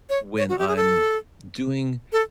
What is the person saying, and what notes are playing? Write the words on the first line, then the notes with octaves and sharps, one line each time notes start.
when I'm doing
C#5
C#5
F#4
G4
G#4
A4
A4